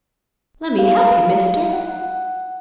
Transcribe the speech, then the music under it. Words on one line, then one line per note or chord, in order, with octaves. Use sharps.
Lemme hep you, Mister.
F5
F#5